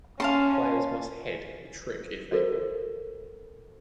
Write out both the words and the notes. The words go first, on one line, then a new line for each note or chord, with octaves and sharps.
Players must head the trick if able.
C#4 F5 A5 C6
F#4 A4 A#4 C5